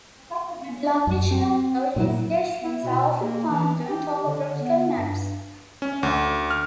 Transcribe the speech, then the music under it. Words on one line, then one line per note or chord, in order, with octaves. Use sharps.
The location of gauging stations are often found on topographical maps.
F#2
C4
A#2 F#3 A#3
E4
B2
A#3
E3
G4
D3
B3
G2
C#4
D2
F6